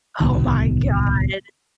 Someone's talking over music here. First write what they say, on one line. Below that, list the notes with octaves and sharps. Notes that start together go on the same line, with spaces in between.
Oh my god!
D1 C2 B2 D#3